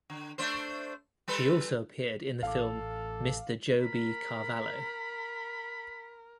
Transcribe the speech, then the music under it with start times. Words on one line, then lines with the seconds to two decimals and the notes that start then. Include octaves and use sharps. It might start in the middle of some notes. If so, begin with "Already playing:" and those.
She also appeared in the film "Mr Joe B. Carvalho".
0.10 D3
0.38 A3 D4 C5
1.28 G3 A4 B4
2.43 A1 A4 F5 D6
3.82 A#4 B5